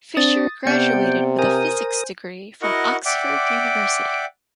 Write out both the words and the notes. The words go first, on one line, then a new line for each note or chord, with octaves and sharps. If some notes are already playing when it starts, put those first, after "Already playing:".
Fischer graduated with a physics degree from Oxford University.
C4 D4 D#6 A6
C3 B3 D5 G5 C#7
A#4 C5 G#5 D#6
E4 F#4 A#4 D#5 F#5 C#6
D5 E5 F#5 G5 D6